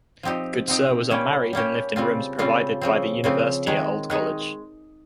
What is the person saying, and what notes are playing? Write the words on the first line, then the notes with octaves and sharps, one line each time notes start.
Goodsir was unmarried and lived in rooms provided by the University at Old College.
F3 C4 D#4 G4
F3 C4 D#4 G4
G3 A#3 C#4 G4
G3 A#3 C#4 G4
C#3 G3 C4 F4
C#3 G3 C4 F4
C#3 F3 C4
C#3 F3 C4
D#3 G#3 D#4
D#3 G#3 D#4